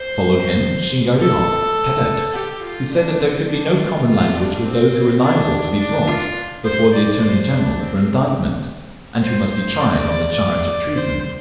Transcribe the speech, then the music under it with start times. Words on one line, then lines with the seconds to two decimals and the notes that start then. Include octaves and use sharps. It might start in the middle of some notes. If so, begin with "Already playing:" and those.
Followed him Shingariov, Cadet, who said that there could be no common language with those who were liable to be brought before the Attorney General for indictment, and who must be tried on the charge of treason....
Already playing: C5
1.19 A4
2.33 G4
2.62 F4
2.91 D4
3.19 C4
3.48 D4
3.77 F4
4.06 F4
4.35 D4
4.63 C4
5.21 D4
5.79 D4
6.07 F4
6.64 C5
6.93 D5
7.22 C5
7.51 D4
7.79 C4
9.22 C5
9.52 C5
9.80 D5
10.95 C5